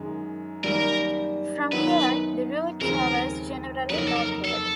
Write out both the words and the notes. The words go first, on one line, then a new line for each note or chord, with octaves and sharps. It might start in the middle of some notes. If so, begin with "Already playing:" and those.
From here the route travels generally northward.
Already playing: F#2 D#3 G#3
F#2 D#3 G3 A#3 A#4
F#2 D#3 F#3 B3 D#4 B4
D#2 C#3 F3 G#3 C4 A#4
F2 C#3 F#3 A#3 D#4 B4
A#4
A4
A#4
A4